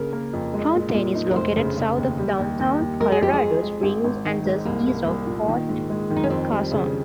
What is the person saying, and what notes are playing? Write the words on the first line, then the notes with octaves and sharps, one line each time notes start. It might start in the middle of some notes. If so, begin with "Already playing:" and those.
Fountain is located south of downtown Colorado Springs and just east of Fort Carson.
Already playing: C#3 A#3 A#4
A#3
F2
G#3
A#2
A#2
D#4
A#4
F1 C5
C#3
C#3
D#2
G3
D#2
D#2
D#2
G#3 A#4
G#4
F2 G4
G#4
F2
G#3
G#1
G#1
D#3
G#2
C2 A#3
C2
C2
A#2
D#3
G#2
G#3
D#3
D#4
C#4
F2 C4
G3
C#3